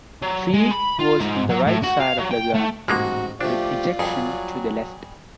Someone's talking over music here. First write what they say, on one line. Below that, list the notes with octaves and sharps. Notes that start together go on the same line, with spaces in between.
Feed was from right side of the gun, with ejection to the left.
F#3
G#3
B5
F4
G#2
F#3
A2
F#4
F5
F#3
G5
A3
A1 G#2 F3 G#3 A#3 F#4 A#5
F3 A3 D4 F4 G4 D5
F2 F#3 G3 G#4